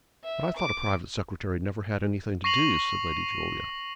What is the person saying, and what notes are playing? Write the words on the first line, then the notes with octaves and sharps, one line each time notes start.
"But I thought a private secretary never had anything to do," said Lady Julia.
E5
D6
C#6 A#6 C7 D#7 F7 F#7